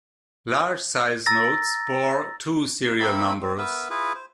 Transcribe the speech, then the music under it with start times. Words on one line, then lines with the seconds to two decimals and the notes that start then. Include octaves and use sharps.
Large-size notes bore two serial numbers.
1.26 A#5 E6 A6 A#6
2.85 D#4
3.00 A#3 C4 E5 B5
3.41 C4
3.58 B3 A#4 B4 E5
3.90 E4 F4 G#4 B4
4.15 C5